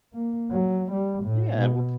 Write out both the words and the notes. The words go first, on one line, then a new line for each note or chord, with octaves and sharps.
Yeah, well
A#3
F#3
G3
A2
B2